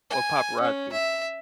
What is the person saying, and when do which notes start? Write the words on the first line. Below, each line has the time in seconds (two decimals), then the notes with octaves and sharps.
Or Paparazzi?
0.10 G#5
0.61 C#4
0.92 E5